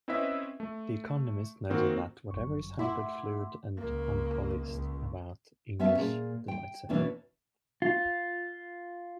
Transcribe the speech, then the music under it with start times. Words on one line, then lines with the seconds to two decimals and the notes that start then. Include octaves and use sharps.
The Economist noted that "whatever is hybrid, fluid and unpoliced about English delights him".
0.08 C4 C#4 E4 B4 D#5 E5
0.60 A3
1.70 D#3 A#3 C4 F#4
2.31 G1 F#2 C#6
2.79 A3 E4 F#5 C6 D6 B6
3.77 C#2 A#3
4.69 C#2
5.80 B3 C#4 E5 F5 A5
5.98 A#2 G#4
6.48 G5
6.89 D#2 B2 E3 C#4 D4
7.82 F4